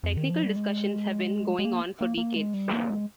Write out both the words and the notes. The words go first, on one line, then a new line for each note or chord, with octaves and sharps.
Technical discussions have been going on for decades.
F2
D#3
F3
G3
G#3
G#3
A#3
A#3
A#3
G#3
G3
A#3
G#3